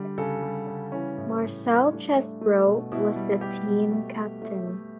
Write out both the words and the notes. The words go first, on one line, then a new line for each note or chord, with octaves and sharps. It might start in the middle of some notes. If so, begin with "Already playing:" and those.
Marcel Chesbro was the team captain.
Already playing: D3 G3 G4
C#3 A4
G3
C#3
E3 C#4
A2
A2
G3
A3 D4
A3
A3
B2
B2 E4
G3
G3 G4
B2
A3
A3
A3 E5
A3